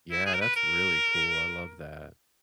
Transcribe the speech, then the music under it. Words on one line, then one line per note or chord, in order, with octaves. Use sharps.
Yeah, that's really cool, I love that,
E4
G#4
A#4
B4
A#4